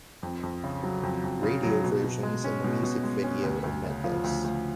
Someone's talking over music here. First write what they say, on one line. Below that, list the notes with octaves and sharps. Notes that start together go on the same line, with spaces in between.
Radio versions, and the music video, omit this.
F2
F2
C#3
F#3
F2
F2
C#3
F#3
B2
B2
G#3
C#4
B2
B2
G#3
C#4
D2
D2
C#3
F3
D2
D2